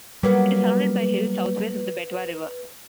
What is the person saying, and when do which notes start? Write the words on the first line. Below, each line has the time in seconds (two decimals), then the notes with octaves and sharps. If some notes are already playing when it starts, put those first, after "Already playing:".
It is surrounded by hills southwest of the Betwa River.
0.23 F#3 G3 A#3 B3 B4